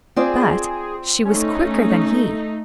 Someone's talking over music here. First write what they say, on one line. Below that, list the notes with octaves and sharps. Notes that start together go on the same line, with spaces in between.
But she was quicker than he.
C4 F4 G#4 D5
A3 C#4 D#4